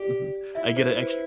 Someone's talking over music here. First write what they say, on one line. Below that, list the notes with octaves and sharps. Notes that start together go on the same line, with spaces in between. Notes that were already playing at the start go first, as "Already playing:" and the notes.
Mhm, I get it extr
Already playing: G4 D5
E4 E5
C5
B4